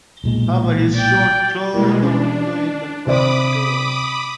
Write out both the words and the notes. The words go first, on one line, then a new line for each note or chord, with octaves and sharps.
However, he is shot through the window in the plane's door.
B1 A#2 G#3
D5 G5
B2 G3 G#3 A#3 E4
C#4 D4
C3 C5 D5 B5 D6 D#6